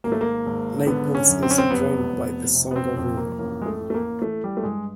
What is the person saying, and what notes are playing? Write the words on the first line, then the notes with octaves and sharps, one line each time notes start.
Naples is drained by the Songo River.
G#1 A#3
A3
A#3
G#1
D3 B3
C#4
F#2
C4
C#4
C4
F1 B3
F1
C3
B3
C4
F2 C4
A#3
A1 A#3
G#3
A3
A1
A3
A#3
E3 A3
G3
A3
G2 G#3